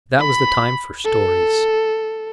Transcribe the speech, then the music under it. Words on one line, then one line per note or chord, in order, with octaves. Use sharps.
That was the time for stories.
B5
A4